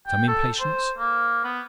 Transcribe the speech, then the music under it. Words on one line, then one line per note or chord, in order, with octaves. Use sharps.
Some impatience.
G5
A4
C5
A#3
B3